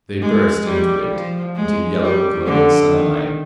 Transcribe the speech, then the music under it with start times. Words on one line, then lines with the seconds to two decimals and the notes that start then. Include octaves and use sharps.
They burst into it--into yellow, glowing sunlight.
0.21 G#3
0.66 G3
1.10 F3
1.55 G#3
2.01 G3
2.45 D3
2.90 D#3